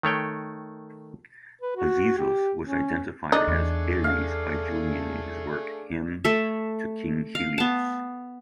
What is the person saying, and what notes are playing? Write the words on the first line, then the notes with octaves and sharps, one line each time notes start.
Azizos was identified as Ares by Julian in his work 'Hymn to King Helios'.
D#3 A3 C#5 G5
B4
F#4
G4
C#4
A3 D4 D#4 G#4 A4
E2
F5
A3 A4 E5
F5
B3 A5